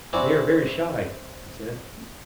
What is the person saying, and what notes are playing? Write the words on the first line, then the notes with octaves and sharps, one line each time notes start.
"They are very shy," he said.
C4 E4 F#4 C#5 D5 G#5